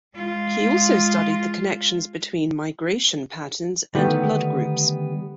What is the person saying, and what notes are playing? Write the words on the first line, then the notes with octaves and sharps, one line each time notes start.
He also studied the connections between migration patterns and blood groups.
G#3 F4
D3 D#3 G3 A3 B3